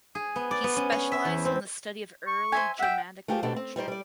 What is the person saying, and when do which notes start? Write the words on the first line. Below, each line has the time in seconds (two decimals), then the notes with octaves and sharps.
He specialized in the study of early Germanic literature.
0.15 G#4
0.36 B3
0.51 D5
0.64 B3
0.76 C#4
0.92 C#5
1.12 E5
1.25 E2
1.45 C4
2.27 C#6
2.52 C5 E5 G#5
2.79 E5 F#5 G5
3.28 A3 F4 G4 G#4 A#4 C5
3.43 B2 C4 D4 F#4 G4 A4
3.56 C4
3.76 G3 D#4 C5 D5
3.88 G3 D5